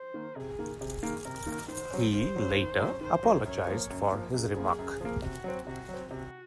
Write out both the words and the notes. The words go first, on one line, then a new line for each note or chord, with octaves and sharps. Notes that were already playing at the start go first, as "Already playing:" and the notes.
He later apologised for his remark.
Already playing: C5
D#3 A#3
C3 G#4
D#3 A#3
C3 G#4
D#3 A#3
C3 A#4
D#3 A#3
D#3 C5
F#3 C#4
D#3 C5
F#3 C#4
D#3
F#3 C#4
D#3 C5
F#3 C#4
F#2 C#5
F3 A#3
F#2
F3 A#3
F#2 G#4
F3 A#3
F#2
F3 A#3
C3 F#4
F#3 C4
C3 F#4
F#3 C4
C3 F#4